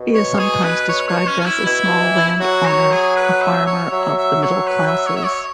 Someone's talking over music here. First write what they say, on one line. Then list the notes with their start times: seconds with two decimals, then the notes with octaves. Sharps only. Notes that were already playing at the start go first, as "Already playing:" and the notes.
He is sometimes described as a small landowner, a farmer of the middle classes.
Already playing: B2
0.14 C#5
0.39 G#4
0.64 B4
0.89 C#5
1.08 C#5
1.28 C#4
1.40 C#4
1.46 E4
1.65 B2 E4
1.84 B2
2.02 E3
2.40 F#3 F#4
2.66 C#5
2.92 G#4
3.16 B4
3.42 E5
3.67 C#5
3.92 F#3 E5
4.17 E5
4.43 C#5
4.67 B4
4.86 E5
5.06 C#5
5.17 E5
5.25 C#5